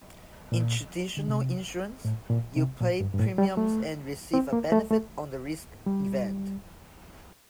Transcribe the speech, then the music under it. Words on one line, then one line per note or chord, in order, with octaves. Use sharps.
In traditional insurance, you pay premiums and receive a benefit on the risk event.
A#2
D3
C3
A2
A#2
C3
A#2
G2
G2
A2
G3
A3
C4
A#3
A3
A3
G3